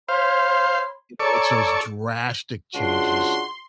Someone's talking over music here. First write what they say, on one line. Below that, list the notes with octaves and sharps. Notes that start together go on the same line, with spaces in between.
you know, it's those drastic changes
C5 C#5 F5 B5 C6
A4 C#5 D5 A#5 C#6
C#2 D4 F#4 C6